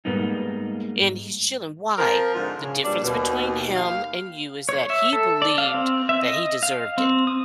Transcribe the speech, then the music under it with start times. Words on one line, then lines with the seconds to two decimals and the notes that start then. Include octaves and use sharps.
and he's chilling." Why? The difference between him and you is that he believed that he deserved it.
0.05 G#2 G3 A#3 B3 D#4
1.97 F3 C4 A#4
2.35 G#2 D3 F3 F4
2.59 C#3
2.83 G2 A#2 G3 D4
3.04 D#2 B2
3.76 D#2 G4 F5
4.69 C#5
4.90 E5
5.13 A4
5.42 D5
5.58 F5
5.74 C4
6.09 E5
6.22 D#5
6.63 F5
6.98 C4
7.27 D#6